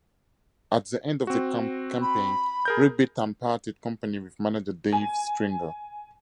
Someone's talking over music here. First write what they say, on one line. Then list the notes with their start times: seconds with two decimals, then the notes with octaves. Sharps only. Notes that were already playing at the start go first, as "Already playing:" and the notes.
At the end of the campaign, Rugby Town parted company with manager Dave Stringer.
1.27 C4 F#4
2.01 B5
2.65 G#4 A#4 G6
4.92 G#5